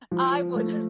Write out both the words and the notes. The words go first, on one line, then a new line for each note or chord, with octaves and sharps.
I would
F3
A3